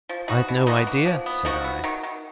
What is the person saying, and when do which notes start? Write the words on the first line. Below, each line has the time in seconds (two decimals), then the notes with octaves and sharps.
"I'd no idea," said I.
0.09 F3
0.28 B2 D#4 F#4
0.48 B2
0.67 B2 D#4 F#4
0.87 A#3
1.06 F3
1.26 B3
1.45 F3 D#4 F#4
1.64 B3
1.84 D#3
2.03 D#3